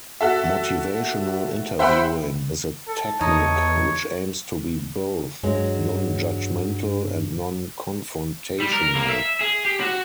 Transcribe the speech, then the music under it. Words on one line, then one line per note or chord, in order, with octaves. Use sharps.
Motivational interviewing is a technique which aims to be both non-judgmental and non-confrontational.
F#4 A4 E5
C5 E5 F#5 G5 B5 C6
A4
E2 D#4 C#5
G2 F#3 G#3
G3
A#4
A#3
E5
G#4
G4
F#4